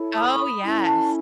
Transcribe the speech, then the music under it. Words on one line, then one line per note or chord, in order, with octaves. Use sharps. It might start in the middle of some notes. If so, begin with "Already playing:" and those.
Oh, yes.
Already playing: E4 A4 C#5
B5 D#6
C#4 E4 A4
A5 C#6